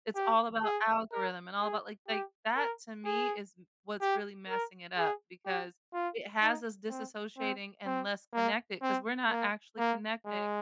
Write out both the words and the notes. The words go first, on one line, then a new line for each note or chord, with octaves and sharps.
It's all about algorithm and all about, like like, that to me is m what's really messing it up because it has us disassociating and less connected 'cause we're not actually connecting
G4
G#4
A#4
G#4
G4
A#4
G#4
G4
A#4
G#4
G4
F4
D#4
C4
C4
C4
A#3
C4
A#3
A#3
G#3